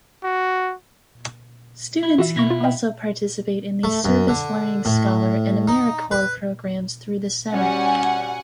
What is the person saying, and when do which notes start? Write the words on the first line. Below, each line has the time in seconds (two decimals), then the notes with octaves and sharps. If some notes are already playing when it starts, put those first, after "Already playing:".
Students can also participate in the Service-Learning Scholar and AmeriCorps programs through the center.
0.23 F#4
2.03 E4
2.18 E3 F4 F#4 E5
2.36 B2 E4 C#6 A#6 B6
2.50 F4
2.64 D#5 F5 G5
3.84 A3
4.04 F#2
4.28 D3
4.85 A2
5.68 D#4
6.11 B4
7.52 G3 C#4 F#4 F#5 G#5